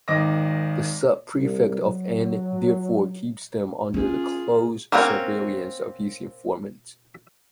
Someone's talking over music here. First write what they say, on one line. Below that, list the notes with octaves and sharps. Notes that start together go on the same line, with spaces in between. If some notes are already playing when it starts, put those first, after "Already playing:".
The sub-prefect of N therefore keeps them under the close surveillance of his informants.
G#1 D#3 D#5 D6 A#6
C2
F#3
C#4 F4 G#4
A#3 C4 C#4 F#4 C#5